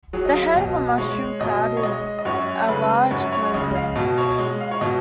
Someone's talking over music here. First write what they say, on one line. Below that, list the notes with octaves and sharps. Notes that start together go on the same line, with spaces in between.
The head of a mushroom cloud is a large smoke ring.
F#3 G#4
D#5
F5
B2 D#5
G#3 C#5
B2 D#5
C#5
G#3 D#5
D#5
F#2 C#5
C#3 G#3 B4
F#2 C#5
C#5
C#3 G#3 D#5
F5
B2 D#5
C#5
G#3 D#5
F5
C#5
B2 D#5